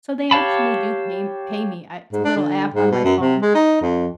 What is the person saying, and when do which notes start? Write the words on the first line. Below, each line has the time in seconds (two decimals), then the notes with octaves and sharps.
So they actually do pay m pay me, I it's a little app on my phone,
0.31 G4 C#5 F5 A5 B5
2.12 G#2
2.25 D4
2.36 D3
2.74 G#2
2.91 B2
3.04 F#2
3.21 C3
3.42 G#3
3.55 D#4
3.81 F2